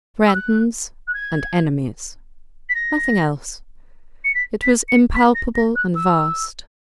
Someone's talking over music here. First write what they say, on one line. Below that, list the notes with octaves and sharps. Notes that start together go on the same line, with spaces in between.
"Friends and enemies"--nothing else. It was impalpable and vast.
E6
F#6
F#6
G#6
B6
A#6
C#7
B6
B6
C#7
B6
A#6
A#6
F#6
E6